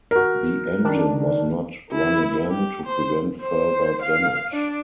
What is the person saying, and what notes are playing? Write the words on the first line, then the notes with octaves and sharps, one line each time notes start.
The engine was not run again to prevent further damage.
F#4 A#4
D#3 D4
E4
G4
C5
C5
F5
D4